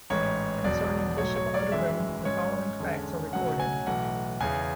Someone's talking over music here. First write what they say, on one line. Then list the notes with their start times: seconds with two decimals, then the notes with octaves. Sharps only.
Concerning Bishop Oedgrim the following facts are recorded.
0.10 A1 G#2 E3 C#5
0.64 E1 E2 B2 F#3 D5
1.18 B1 A2 F#3 C#5
1.36 C#5
1.54 D5
1.72 G#1 F#2 E3 G#3 E5
2.25 G#2 F#3 C#4 C#5
2.80 E2 D3 G#3 C#4
3.33 B1 A2 F#3 C#4 F#5
3.60 G#5
3.87 B1 A2 E3 F#5
4.40 E2 C#3 E3 G#5